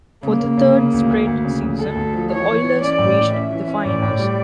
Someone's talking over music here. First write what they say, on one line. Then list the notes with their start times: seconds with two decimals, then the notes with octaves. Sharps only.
For the third straight season, the Oilers reached the Finals.
0.23 C#3 A#3
0.40 C#3
0.57 C#3
0.75 C#3
0.93 D2
1.09 D2
1.26 D2
1.44 C#3
1.61 D2
1.78 D2 A4
1.95 D2
2.13 F3
2.31 E3 C#5
2.48 E3
2.64 E3
2.81 C#4 D5
2.98 A2
3.16 E3
3.33 C#4 E5
3.51 E3
3.68 C#4
3.85 A2 D5
4.02 A2
4.19 G3